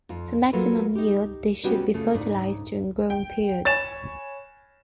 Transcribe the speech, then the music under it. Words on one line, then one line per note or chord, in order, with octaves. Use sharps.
For maximum yield, they should be fertilized during growing periods.
F2 F4
F#3 A#3 C#4 F4 A4 B4
D#4 G4
C3 G3 B3 C#4 F#4 G4
C#3 A3 F4
G#2 C#3 D4
G5
C#5 G#5 B5 A6 E7